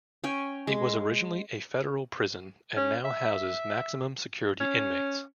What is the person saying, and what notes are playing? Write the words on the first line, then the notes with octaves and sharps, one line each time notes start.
It was originally a federal prison and now houses maximum security inmates.
C#4 G5 G#5
G#3
C#4
E5
C#4